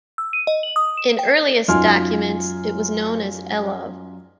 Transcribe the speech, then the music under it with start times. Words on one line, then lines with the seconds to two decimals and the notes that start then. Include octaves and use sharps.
In earliest documents, it was known as "Elhov".
0.18 E6
0.33 D#7
0.47 D#5
0.63 F#7
0.76 D#6
0.97 E7
1.19 G5
1.68 F#2 D#4 F4 G#5 C6 F6